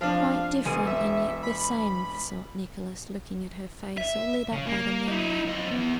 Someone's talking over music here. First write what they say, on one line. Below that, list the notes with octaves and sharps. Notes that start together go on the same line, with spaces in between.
"Quite different and yet the same," thought Nicholas, looking at her face all lit up by the moonlight.
F3 C4 D4 F5
E1 G#4 D#7
E5
B5
E5
C#3
A#3
D#4 E4
F#2 D#5
E3 B3